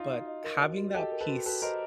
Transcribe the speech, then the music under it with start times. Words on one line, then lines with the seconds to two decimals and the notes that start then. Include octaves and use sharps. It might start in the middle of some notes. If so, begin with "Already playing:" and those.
but having that piece
Already playing: D#4 F4
0.10 F#4
0.27 D#5
0.44 A#4
0.61 F#4
0.78 F#4
0.94 G4 A4 D#5
1.12 A#4
1.20 A4 B4
1.28 F#4
1.46 F#4 A4 B4
1.62 A#4 C5 D#5